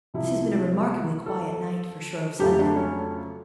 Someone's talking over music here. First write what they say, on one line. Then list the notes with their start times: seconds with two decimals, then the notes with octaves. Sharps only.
This has been a remarkably quiet night, for Shrove Sunday!
0.14 C2 C3 F3 E4
1.26 A4
2.39 F2 C#3 F#3 A3 G4
2.59 D4
2.76 C#4